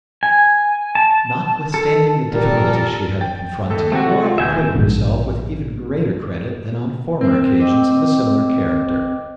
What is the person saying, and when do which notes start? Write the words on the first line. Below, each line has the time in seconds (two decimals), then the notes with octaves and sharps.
Notwithstanding the difficulties she had to confront, Laura acquitted herself with even greater credit than on former occasions of a similar character.
0.23 G#5
0.95 A5
1.74 A4
2.33 A#2 G3 A4 A#4
3.21 G5 A6
3.70 D#2 A4
3.92 C3 A3 F#4 G5
4.24 F4
4.38 D#2 B2 E5 G#5 G6
4.75 A#1 G#2 B2 D3
7.21 C4 A#4 C5
7.60 D#5 G5 D6